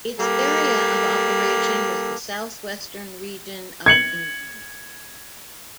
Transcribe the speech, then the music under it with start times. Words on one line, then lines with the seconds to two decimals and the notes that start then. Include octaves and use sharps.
Its area of operation was the south-western region of England.
0.18 G3 A#3 A4
3.86 G#6 C#7 F#7